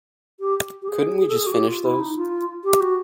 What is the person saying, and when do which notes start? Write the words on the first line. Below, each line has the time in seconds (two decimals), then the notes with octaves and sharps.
Couldn't we just finish those?
0.40 G4
0.82 G4
0.89 G#4
1.20 G#4
1.29 A4
1.36 G#4
1.47 F#4
1.52 G4
1.68 F4
1.85 E4
2.00 D#4
2.16 F4
2.64 G4
2.80 F#4